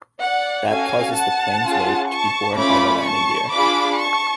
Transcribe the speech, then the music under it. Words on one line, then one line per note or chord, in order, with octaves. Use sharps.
That causes the plane's weight to be borne by the landing gear.
D5 F#5
C#4 F#4 A4 F5 G#5
F#5 A5
C#4 F4 G#4
A5 C#6
A3 C#4 F4 B5 D6
A5 C#6
D4 F4 G#4 B5 D6
A5 C#6